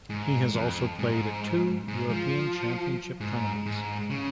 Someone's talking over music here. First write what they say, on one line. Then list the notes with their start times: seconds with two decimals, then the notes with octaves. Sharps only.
He has also played at two European Championship tournaments.
0.10 G#2
0.54 F2
0.99 G#2
1.88 G#2
2.09 F3
3.21 G#2
3.66 G#2
4.10 C#3